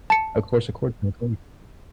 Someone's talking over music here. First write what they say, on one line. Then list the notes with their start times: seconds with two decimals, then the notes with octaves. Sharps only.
Of course, of course, welcome.
0.10 A5 C#7